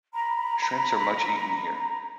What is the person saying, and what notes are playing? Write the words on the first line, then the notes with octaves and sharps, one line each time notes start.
Shrimps are much eaten here.
A#5 B5